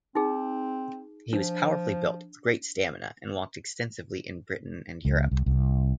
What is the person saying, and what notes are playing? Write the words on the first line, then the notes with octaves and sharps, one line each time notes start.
He was powerfully built, with great stamina, and walked extensively in Britain and Europe.
C4 D#4 G#4
F3 D4
C#2
C2
C2